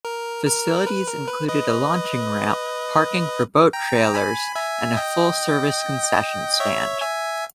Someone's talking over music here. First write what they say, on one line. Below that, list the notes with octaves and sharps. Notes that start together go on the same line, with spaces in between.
Facilities include a launching ramp, parking for boat trailers and a full-service concession stand.
A#4
A#4
B4
A#4
B4
B4 D#5
G5 A#5
G#5 B5
E5 G#5
D#5 G5
C#5 E5
E5 G#5